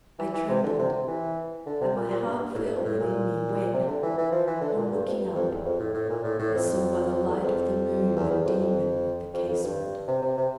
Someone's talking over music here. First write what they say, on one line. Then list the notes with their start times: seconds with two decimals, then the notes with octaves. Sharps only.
I trembled and my heart failed within me, when, on looking up, I saw by the light of the moon the daemon at the casement.
0.19 E3
0.33 E3
0.49 C3
0.63 D3
0.79 C3
0.93 C3
1.07 E3
1.66 D3
1.81 C3
1.96 A#2
2.10 A#2
2.26 G2
2.40 G2
2.55 A2
2.65 G2
2.75 F2
2.85 A2
3.00 A#2
3.73 C3
3.88 D3
4.03 E3
4.18 E3
4.32 F3
4.47 E3
4.61 D3
4.77 A#2
4.91 G2
5.06 F2
5.21 G2
5.35 F2
5.50 E2
5.65 F2
5.80 A2
5.94 A2
6.09 A#2
6.24 A2
6.39 A2
6.54 F2
7.28 E2
7.42 F2
8.16 E2
8.31 E2
8.45 F2
8.60 F2
9.34 F2
9.48 F2
9.63 G2
10.08 C3
10.22 C3
10.37 C3